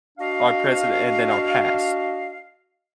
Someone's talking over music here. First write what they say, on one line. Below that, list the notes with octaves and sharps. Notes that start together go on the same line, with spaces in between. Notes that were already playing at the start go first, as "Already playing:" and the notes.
our present and then our past.
D4 F#4 D#5 F5